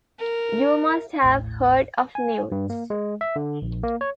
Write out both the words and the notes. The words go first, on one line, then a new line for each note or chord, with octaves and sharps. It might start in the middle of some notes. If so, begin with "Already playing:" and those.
You must have heard of newts.
A#4
A1 D#2 A2
G#5
G2
A#3
G#3
E5
D3
A#1
A#3
C#5